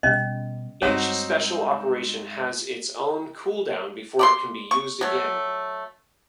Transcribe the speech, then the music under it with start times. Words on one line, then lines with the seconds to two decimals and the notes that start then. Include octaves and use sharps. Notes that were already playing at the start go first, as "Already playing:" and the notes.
Each Special Operation has its own cooldown before it can be used again.
0.03 B2 G3 C#4 D#5
0.82 G2 G#3 C4 D#4 F#4 C#5 F#5
4.19 D5 B5 C6
4.71 C#6
5.01 F#3 A3